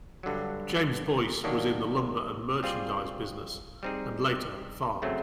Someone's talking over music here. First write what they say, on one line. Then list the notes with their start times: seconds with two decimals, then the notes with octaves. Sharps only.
James Boyce was in the lumber and merchandise business, and later farmed.
0.23 G2 D3 F#3
1.44 D#3 F#3 A#3 D4 G4
2.63 G3 C4 F4 G#4
3.83 G3 C4 D#4 G#4
5.02 C#3 F#3 A3 C4